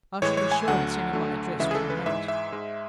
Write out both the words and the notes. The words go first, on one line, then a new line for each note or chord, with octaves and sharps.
I shall be sure and send you my address when I know it.'
A2 E3 G#3 C#5
C#5
G#5
D2 D3 F#3 A3 F#5
D2 D3 F#3 A3
D2 C#3 E3 G#3 E5
G#4
A4
B4
G#2 E3 G#3 E5
E5
G#2 G#3